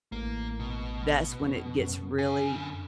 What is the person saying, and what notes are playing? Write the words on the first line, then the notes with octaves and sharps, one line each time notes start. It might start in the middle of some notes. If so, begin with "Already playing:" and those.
that's when it gets really
A1 A#3
B2
F2
F#2
D3 G#5